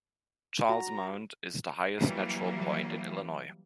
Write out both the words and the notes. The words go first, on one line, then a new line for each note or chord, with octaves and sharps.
Charles Mound is the highest natural point in Illinois.
F#4 A#5
E3 F#3 G3 A#3